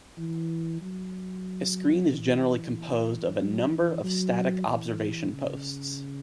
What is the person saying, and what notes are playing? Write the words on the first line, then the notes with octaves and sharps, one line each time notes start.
A screen is generally composed of a number of static observation posts.
E3
F#3
E3
F#3
E3
F#3
E3
C#3